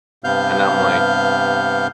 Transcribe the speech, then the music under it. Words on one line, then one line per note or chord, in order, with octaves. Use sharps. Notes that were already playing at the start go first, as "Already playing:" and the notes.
And I'm like,
G2 C3 B3 F5 F6 G6